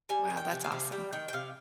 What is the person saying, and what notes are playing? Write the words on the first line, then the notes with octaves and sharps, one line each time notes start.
Wow, that's awesome.
G3 G#5
D#3
G5
C3
F5
C3
G3 G5
D#3 G5
G5
C3 F5